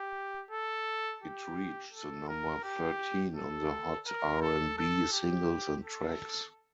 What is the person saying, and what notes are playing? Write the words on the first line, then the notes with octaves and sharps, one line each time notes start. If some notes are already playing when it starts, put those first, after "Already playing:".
It reached the number thirteen on the Hot R and B Singles and Tracks.
Already playing: G4
A4
G4
A4
A#4
G4
A4
A#4
A4
A4
G4
A4